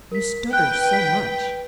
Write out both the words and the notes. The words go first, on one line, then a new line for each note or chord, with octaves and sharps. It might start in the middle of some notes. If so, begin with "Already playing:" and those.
You stutter so much.
A#4 B6
B4 G5 F#6
B6